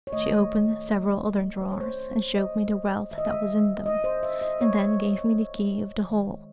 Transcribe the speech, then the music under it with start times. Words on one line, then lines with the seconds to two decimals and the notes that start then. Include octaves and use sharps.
She opened several other drawers, and showed me the wealth that was in them, and then gave me the key of the whole.
0.07 C#5
0.13 D#3 A3 D#5
1.62 C5
1.71 C#5
1.81 C5
2.36 D#5
3.11 D#3 G#3 E5
3.18 D#5
3.26 E5
3.86 D#5
4.04 C5
4.23 E5
4.42 D#5
4.61 C#5
6.09 D#3 G#3